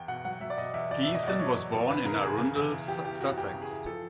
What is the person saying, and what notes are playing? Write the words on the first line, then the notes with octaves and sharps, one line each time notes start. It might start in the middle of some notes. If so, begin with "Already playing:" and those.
Geeson was born in Arundel, Sussex.
Already playing: E2 G5
B2 F#5
F#3 F#5
F#3 E5
D5
B2 D#5
E2 E5
E2 D5
E5
B2
D#5
E2 D5
F#3 C#5
E2
B2
E2 B4
C#3 A#4
E2 G#4
C#3
E2
E3
E2 G4
E3 G4
E3 F#4
E2 G4
C#3
G#4
E3
F3 A4